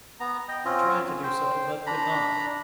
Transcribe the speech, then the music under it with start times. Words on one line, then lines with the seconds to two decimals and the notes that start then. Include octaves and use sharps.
I tried to do so, but could not.
0.20 B3 A#5
0.48 D#5 G5
0.65 C4 C#4 F4
1.24 C5 G5
1.86 D4 A#5 B5